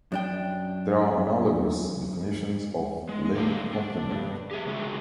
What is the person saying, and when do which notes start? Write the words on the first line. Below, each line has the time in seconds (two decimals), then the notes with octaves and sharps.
There are analogous definitions of link complement.
0.12 F#2 D4 G5
3.09 G#3
3.35 D3 G3 A3 F5
3.73 D4
4.11 G2
4.51 G4 G#4 E5
4.66 C#3 G#3 D4 F#4